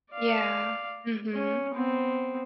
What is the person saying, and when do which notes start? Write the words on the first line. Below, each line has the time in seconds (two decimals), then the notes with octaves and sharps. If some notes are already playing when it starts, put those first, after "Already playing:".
Yeah. Mhm.
0.12 D5 F5
1.34 C#4
1.74 B3 C4